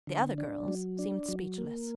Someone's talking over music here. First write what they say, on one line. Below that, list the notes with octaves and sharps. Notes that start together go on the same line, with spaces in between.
The other girls seemed speechless.
D3
D4
F#3
D4
F#3
A#3